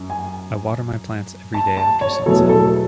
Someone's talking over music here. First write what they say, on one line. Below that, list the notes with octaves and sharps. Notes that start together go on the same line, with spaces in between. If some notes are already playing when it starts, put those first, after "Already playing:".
I water my plants everyday after sunset.
Already playing: F#2
G#5
A5
A5
C#5
E2 B2 F#3 A3 A4
A4